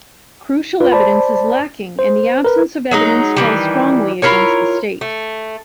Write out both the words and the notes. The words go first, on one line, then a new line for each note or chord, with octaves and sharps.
Crucial evidence is lacking and the absence of evidence tells strongly against the State.
F4 B4
C5 D5 A5 B5
C5
A#4 B4
F#3 G#3 D#4
D#3 E3 G3
E4 F4 A#4 C#5
A3